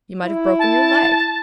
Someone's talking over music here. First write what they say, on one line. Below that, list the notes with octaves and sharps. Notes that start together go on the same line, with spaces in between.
You might have broken your leg.
E4
A5